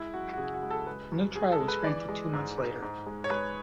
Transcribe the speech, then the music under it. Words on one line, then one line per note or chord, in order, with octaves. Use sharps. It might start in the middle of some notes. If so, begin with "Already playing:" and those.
A new trial was granted two months later.
Already playing: G#3 E4
F#2 F#4
F#4
C#3 G#4
F#4
G#3
A4
G#3 B4
F#2
F#2 G#4
A4
G#3
B4
E3 D5
G#3
G#2
G#2
G#2
G#3
C#5
G#3 B4